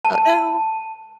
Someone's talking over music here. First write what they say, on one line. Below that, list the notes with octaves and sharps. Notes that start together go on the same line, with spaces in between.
Oh, no.
A5